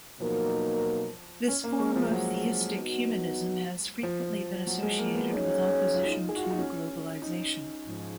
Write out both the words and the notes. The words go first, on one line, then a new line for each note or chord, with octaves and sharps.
This form of theistic humanism has frequently been associated with opposition to globalisation.
B2 F3 F#3 A#3 D#4 A#4
C#4
A#3
G#3
F3
F#3
F#3 B3 D#4 F#4
F3
F#3
G#3
A#3
B3
F#3 C#4 D#4 G#4 C#5
F4
D#4
F4
G#4
F#4
F4
D#4
C#4
D#4
G#2 F3